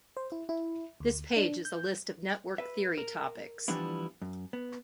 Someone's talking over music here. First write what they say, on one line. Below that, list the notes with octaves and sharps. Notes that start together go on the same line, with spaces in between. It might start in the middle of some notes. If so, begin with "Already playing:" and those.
This page is a list of network theory topics.
C5
E4
E4
D2
D4
G6
B4 E5
A#4
E3 F3 G3 B3 D4 E4
F#2
B3